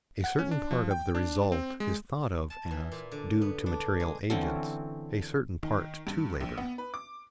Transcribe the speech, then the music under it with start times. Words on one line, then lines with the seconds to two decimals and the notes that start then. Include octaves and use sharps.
A certain part of the result is thought of as due to material agents, a certain part to labor.
0.24 F#5
0.39 C#4
0.51 D4
0.71 F3
0.91 G5
1.15 D4
1.52 C4
1.80 G#3
2.50 A5
2.71 E3
2.92 A#2
3.12 D3
3.41 B3
3.66 D4
4.00 G#3
4.30 D3 E3 C4 C#4
5.63 D#3
6.07 G2
6.40 A#1
6.58 B3
6.78 B4
6.94 D6